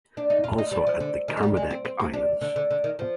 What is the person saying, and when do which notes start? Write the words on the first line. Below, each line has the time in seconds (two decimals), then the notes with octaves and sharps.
Also at the Kermadec Islands.
0.17 D4
0.30 D#4
0.44 F4
0.58 D#4
0.71 G3
0.87 F3
1.00 D3
1.28 D#3
1.37 G#3
1.43 G3
1.57 G#3
1.70 C4
1.85 C4
2.00 A#3
2.13 D4
2.41 D3
2.56 D3
2.71 D3
2.84 D#3
2.99 F3